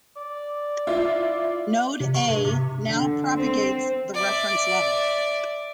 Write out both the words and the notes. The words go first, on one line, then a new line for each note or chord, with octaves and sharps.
Node A now propagates the reference level.
D5
E4 F4
C3
C#6
G2
C3
D3
C4
D5 E5